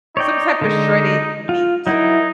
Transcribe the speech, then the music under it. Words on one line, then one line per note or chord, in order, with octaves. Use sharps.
Some type of shredded meat,
D#4 C#5 D5 G5
D3 G#3
F4
F#3 D#4 E4 A#4